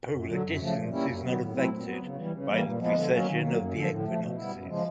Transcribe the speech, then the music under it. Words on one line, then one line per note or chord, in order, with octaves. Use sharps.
Polar distance is not affected by the precession of the equinoxes.
F#2
D3 F#3
F#2
C#3 F3 A3
A#2
G3 A#3 C#4 E4
F#2
D#3 F#3 B3
A2
F#3 A3 C4 E4
A#2
F#3 B3
C#3
E3 G3
C#3
E3 G3 A#3
A#2
F3 G#3 B3
D3
F#3 A#3 C#4
D#3
F#3 A#3
F#2
D3 F3
A2
F3 A3
B2
G3 B3 E4
F#2
C#3 F3 G#3